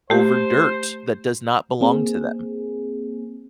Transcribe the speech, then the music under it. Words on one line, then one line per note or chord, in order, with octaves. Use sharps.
over dirt that does not belong to them
A3 G4 C5
A#3 C4 G#4